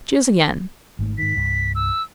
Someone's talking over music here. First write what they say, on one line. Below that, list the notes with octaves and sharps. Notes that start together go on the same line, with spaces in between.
Choose again.'
G#1 G#2 A3
G#2 D#3 B6
C2 G2
E6